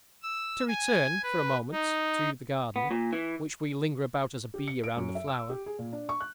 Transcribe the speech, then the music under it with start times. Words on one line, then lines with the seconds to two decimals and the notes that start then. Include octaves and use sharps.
To return, for a moment, to the garden, which we linger about as a bee around a flower.
0.23 E6
0.68 G#5
1.23 B4
1.71 D#4
2.76 B3
2.91 A#2
3.13 E3
4.54 G4
4.68 C#7
4.84 D7
4.97 F#2
5.15 E5
5.28 E6
5.50 G4
5.66 G#4
5.79 A#2
5.93 D4
6.09 C#6
6.21 F#6